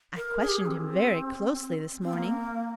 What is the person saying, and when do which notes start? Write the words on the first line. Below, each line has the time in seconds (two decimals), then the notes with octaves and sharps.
I questioned him very closely this morning.
0.17 A#4
0.41 G#4
0.49 G4
0.57 G#4
0.66 C4
2.02 C4
2.13 A#3